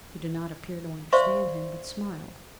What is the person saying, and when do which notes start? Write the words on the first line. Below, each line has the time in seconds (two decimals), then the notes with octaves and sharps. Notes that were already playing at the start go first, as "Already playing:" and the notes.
She did not appear to understand him, but smiled.
1.13 C5 D5 E5 F5 C6 C#6